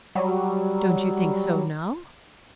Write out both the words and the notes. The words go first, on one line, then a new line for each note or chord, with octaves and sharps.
"Don't you think so, now?"
F#3 G3